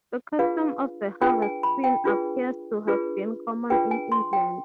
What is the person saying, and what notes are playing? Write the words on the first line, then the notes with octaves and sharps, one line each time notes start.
The custom of the Harvest Queen appears to have been common in England.
D4 F4 G#4 B4 F5
D4 F4 G#4 B4 G5
G#5
B5
G5
D4 F4 G#4 B4
D4 F4 G#4 B4
D4 F4 G#4 B4 G5
G#5
C6
G5